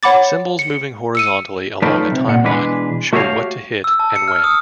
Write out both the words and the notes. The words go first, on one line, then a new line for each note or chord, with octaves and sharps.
Symbols moving horizontally along a timeline show what to hit and when.
C#5 F#5 B5 D6 A6
C#7
E6 C#7 D#7
F#3 A3 D#4 F4 B4 D5
C3
A#2 F#5
B2 E3 G#3 D4 B4
A3 F#4 G4 C#5 D#5 F5
E6
A5
C#7
F6
D#6